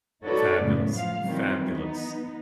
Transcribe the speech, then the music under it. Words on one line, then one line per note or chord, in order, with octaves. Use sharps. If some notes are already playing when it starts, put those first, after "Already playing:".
Fabulous, fabulous.
D#4 F#4 A4 B4 C#5 D5
F#2 A2 C#3 G#3 B3
F3 F5
D#3 E3 F#3 G3 C4
B3 D#4